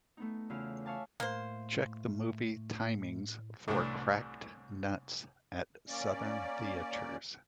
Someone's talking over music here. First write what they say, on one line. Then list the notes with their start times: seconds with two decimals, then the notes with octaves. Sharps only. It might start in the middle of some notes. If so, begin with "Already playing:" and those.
Check the movie timings for Cracked Nuts at Southern Theatres.
0.17 A3 B3 D#4
0.50 E2 C#3 E3 F4 E6 F6
0.85 C#5 E5 F5 G#5 A5 D6
1.20 A2 A3 A#3 C5
3.68 C2 A2 E3 A3 D4
5.89 A#3 C#4 D5